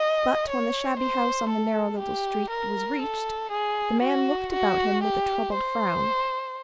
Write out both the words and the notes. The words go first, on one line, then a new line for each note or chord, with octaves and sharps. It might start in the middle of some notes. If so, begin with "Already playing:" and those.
But when the shabby house on the narrow little street was reached, the man looked about him with a troubled frown.
Already playing: D#5
C#5
C5
A4
G4
A#4
A4
G#4
F#4
F#4
G4
C5